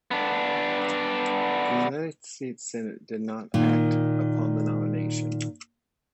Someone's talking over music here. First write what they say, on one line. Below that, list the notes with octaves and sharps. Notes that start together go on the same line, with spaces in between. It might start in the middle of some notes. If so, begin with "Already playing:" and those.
The United States Senate did not act upon the nomination.
B3 D4
A#2 D#3